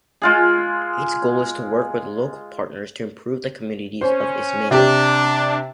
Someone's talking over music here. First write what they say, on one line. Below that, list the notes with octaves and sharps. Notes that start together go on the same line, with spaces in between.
Its goal is to work with local partners to improve the communities in Ismailia.
G#3 F4 G#4
C#4 C5
C3 D4 G4